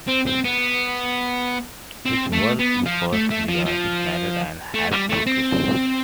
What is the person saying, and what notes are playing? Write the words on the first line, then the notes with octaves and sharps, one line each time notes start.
Which worked, because we're married and have two kids.
C4
C4
B3
C4
A3
B3
F3
A3
A3
F3
F3
A3
G3
A3
C4